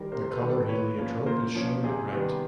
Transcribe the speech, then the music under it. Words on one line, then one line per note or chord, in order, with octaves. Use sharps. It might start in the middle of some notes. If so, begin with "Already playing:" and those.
The color heliotrope is shown at right.
Already playing: D#3 G3 A#4 C5
C3 A#4 C5
C5
A4 B4
D#3 G3
A4 B4
A#2 B4 C#5
F3 A#3 C#4
A#2 A#4 C5
F3 A#3 C#4
C3 G#4
D#3 G3 B3